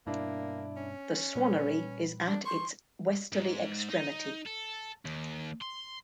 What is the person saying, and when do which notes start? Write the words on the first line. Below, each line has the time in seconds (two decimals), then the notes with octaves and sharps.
The swannery is at its westerly extremity.
0.07 G2 B2 A#3 D4 E4
0.77 C#4
1.35 A#2 G3 B4
2.28 D4
2.45 C6 C#6
3.33 G#2
3.90 D#4
4.46 A4
5.05 D#2
5.62 C6